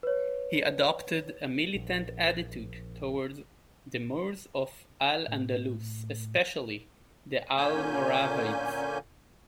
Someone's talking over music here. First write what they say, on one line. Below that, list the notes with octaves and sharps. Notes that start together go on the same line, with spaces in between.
He adopted a militant attitude towards the Moors of Al-Andalus, especially the Almoravids.
B4 C#5
A#1
A2
A#2 D3 A#3 C#4 G#5 G6